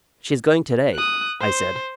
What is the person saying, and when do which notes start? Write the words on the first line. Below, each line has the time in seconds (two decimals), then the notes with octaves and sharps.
"She's going to-day!" I said.
0.94 D#6 F#6
1.41 C5